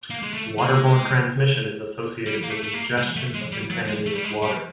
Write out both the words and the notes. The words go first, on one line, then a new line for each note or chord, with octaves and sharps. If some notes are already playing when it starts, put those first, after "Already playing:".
Water-borne transmission is associated with the ingestion of contaminated water.
A#3
G#3
A3
G#3
G3
A#3
A3
A3
A#3
G#3
A3
G#3
G3
F#3
G#3
A3
G3
G#3
G3